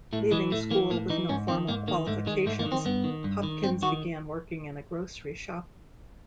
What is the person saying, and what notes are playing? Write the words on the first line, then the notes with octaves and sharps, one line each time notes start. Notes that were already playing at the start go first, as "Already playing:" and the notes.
Leaving school with no formal qualifications, Hopkins began working in a grocery shop.
A2 A3
E3 G#3
A2 A3
E3 A#3
A2 A#3
E3 D#4
G#2 C#4
D#3 C4
G#2 A#3
D#3 A#3
G#2 A3
D#3 G#3
G#2 A3
A#3
D#3
C4
G2 B3
D#3
G2
D#3
G2 C4
D#3 F#4